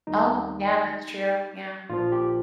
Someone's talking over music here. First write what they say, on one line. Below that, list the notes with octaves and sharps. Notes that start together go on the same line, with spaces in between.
Oh, yeah, that's true. Yeah.
D#2 D#3 G3 D#4
A#1 A#2 F3 F4
G4